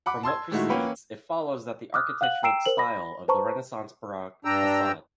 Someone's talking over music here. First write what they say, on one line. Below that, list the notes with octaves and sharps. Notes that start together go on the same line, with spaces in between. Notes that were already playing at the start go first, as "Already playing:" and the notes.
From what proceeds, it follows that the architectural style of the renaissance baroque facade.
F#5 B5 D6
A5 C6 E6 G#6
A#2 D#3 G#3 A3 E4 F#4
A#3 C#4 B4 F#5 G5
D6 D#6 F6 F#6
F5 F#5 F#6 F#7
G5 A#5 E6 C7 D7 E7
A#4 C5 F#7
B5 A#6
B4 C5 A5 A#5 C#6
G2 D4 G5 A#5 E6